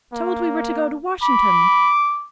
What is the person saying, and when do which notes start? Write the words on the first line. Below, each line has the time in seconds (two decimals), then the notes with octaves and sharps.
Told we were to go to Washington.
0.13 A#3
1.22 B5 D6